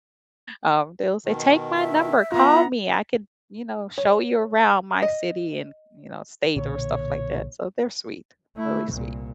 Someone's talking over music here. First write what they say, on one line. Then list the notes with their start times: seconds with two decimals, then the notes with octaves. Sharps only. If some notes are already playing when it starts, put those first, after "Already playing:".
um, they'll say "Take my number, call me, I could, you know, show you around my city and" You know, state, or stuff like that. So, they're sweet, really sweet.
1.25 B2 D#3
1.77 E5
2.32 B3 F4 A#5
3.98 C#5
5.02 D#5
6.56 B1 A#2 D3 C#5
8.56 A3 E4
8.90 C2 A#2